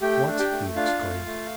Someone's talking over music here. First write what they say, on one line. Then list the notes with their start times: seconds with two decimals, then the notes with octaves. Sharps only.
"What!" he exclaimed.
0.01 A3 G4 G5
0.27 D4
0.39 G4 G5
0.51 A3
0.76 D4 F4 F5
1.01 A3
1.26 A3